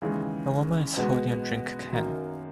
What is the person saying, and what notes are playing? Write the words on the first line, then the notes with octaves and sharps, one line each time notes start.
A woman is holding a drink can.
D#2 C#3 E3 G#3 D#4
B2 G#3 B3 F#4
F#2 D#3 F#3 A#3